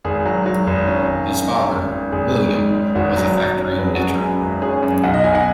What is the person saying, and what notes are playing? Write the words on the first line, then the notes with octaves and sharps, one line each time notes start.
His father, William, was a factory knitter.
G#1 G#4
F#3
F#3
G#1
C#4
G#1
F#2
C#4
G#1
G#1
G#1 G#4
G#2
G#2
G#2
G#1 F#4
F#3
F#3
C#4
C#4 B4
G#4
F#4
F#2 G#4
F#2
G#1
C#4 G#4
F#2
B1 F#5
D#5
B1 G#5
F#5